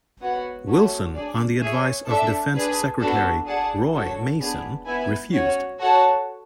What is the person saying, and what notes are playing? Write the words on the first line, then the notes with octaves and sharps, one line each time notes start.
Wilson, on the advice of defence secretary Roy Mason, refused.
B3 F#4 C#5 F#5
A3 C#4 F#4 C#5
D4 G#4 D5
G#4 C#5 E5 G#5
D4 A4 E5
D4 G#4 B4
B3 D4 F#4 A4
G#4 D5 F#5 A5
D4 F#4 A4 C#5
B3 D4 G#4
B3 E4 B4 E5 G#5
C#4 F#4 C#5
F#4 A4 C#5 F#5 A5